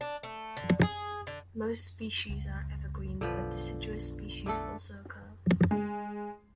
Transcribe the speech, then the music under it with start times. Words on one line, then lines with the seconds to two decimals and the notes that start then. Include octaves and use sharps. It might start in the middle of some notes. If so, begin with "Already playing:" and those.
Most species are evergreen, but deciduous species also occur.
0.01 D4
0.23 A3
0.57 D3
0.83 G#4
1.27 D3
2.29 C#2
3.21 B1 D3 F3 B4
4.46 D3 A3 A4
5.71 G#3